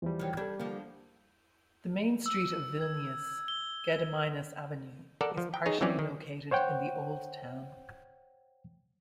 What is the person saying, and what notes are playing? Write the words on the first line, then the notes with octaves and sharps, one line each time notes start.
The main street of Vilnius, Gediminas Avenue, is partially located in the Old Town.
E2 E3 F3 G3
D#3 F#3
G3 D4 A4 G5 G#6
D3 F3 A#3
E6
G#6
G7
A4 A#4 D5 F#5
F3
G5
D#4 G#4 C#5
E3 F#3 C4 C#4 C#5 D5
D#3
C5 C#5 F#5 G5